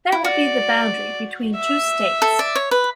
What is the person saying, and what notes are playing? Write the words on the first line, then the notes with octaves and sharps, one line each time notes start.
That would be the boundary between the two states.
E4
F#4 D5
E5
A4
D5
C#5
B4